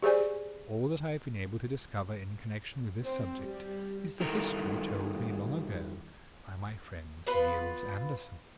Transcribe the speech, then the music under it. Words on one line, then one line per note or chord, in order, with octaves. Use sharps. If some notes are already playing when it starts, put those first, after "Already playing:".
All that I have been able to discover in connection with this subject is the history told me long ago by my friend Niels Andersen.
G4 G#4 C5 D5 G#5
C4
G3
G2 D#3 E4 A4 A#4 A#5
B3 F4 B4